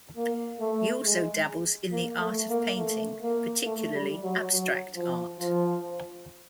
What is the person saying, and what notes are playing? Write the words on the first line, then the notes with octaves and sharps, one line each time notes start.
He also dabbles in the art of painting, particularly abstract art.
A#3
A3
G#3
A#3
A3
A#3
A3
A#3
A3
G3
F#3
F#3
F3
F3